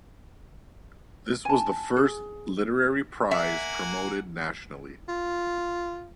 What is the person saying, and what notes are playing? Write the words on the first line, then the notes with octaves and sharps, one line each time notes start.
This was the first literary prize promoted nationally.
G#5 A5
G#4
A#3 E5 F#5 G#5
F4